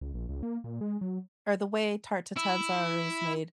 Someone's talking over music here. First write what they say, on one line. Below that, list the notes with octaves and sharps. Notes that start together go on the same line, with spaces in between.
or the way tarte tatin's are always made
C#2
A#1
C#2
A#3
A#2
G#3
F#3
E4